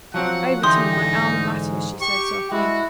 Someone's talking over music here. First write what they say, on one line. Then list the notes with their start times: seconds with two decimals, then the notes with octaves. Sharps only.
"Overton, my Alma Mater," she said softly.
0.14 F3 F#3 C4 F#5
0.63 D3 E3 D#4 G4 C6 D#6 G6
0.94 G#2
2.01 G4 C#6
2.52 G#3 E4 F#4